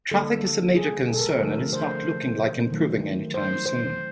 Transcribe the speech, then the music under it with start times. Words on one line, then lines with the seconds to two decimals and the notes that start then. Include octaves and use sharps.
Traffic is a major concern and is not looking like improving any time soon.
0.11 D3 G3 A#3 A4
0.76 G#4
1.13 A4
1.19 A#4
1.40 D3 F3 A3
1.73 C5
2.70 D#3 F#3 A3
3.34 C5
3.66 C5